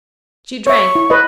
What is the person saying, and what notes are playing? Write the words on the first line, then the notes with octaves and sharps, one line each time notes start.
She drank.
C#5 E5 C#6
E4
B4 D#5